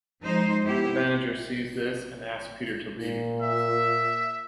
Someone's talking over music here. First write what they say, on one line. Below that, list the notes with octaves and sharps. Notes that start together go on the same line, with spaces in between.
The Manager sees this and asks Peter to leave.
F3 G#3 D#4 C5
B3 E4 G4
A#2
E5